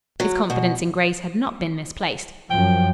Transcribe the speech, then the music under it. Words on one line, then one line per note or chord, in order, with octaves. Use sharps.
His confidence in Grace had not been misplaced.
F#3
B2
F#2 F3 G5